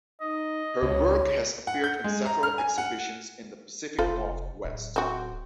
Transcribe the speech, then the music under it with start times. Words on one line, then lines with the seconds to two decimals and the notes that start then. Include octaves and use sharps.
Her work has appeared in several exhibitions in the Pacific Northwest.
0.21 D#4 D#5
0.82 C#2 C#5
1.67 F#5
1.84 G6
2.04 G#3
2.26 A#5
2.43 F6
2.58 G#5
2.78 F#5
3.99 F1 F4 A4 C5
4.65 D1
4.96 C4 F#4